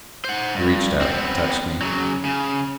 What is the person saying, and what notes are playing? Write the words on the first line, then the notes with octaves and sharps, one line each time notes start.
He reached out, touched me.
C5 F#5
G2
B3 C4
C#3 F#3
C#3